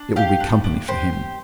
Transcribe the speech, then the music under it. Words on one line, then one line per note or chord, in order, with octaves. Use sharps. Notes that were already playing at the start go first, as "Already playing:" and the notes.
It will be company for him.'
Already playing: D4
G4 F5
D4
D4
G4 C5
G4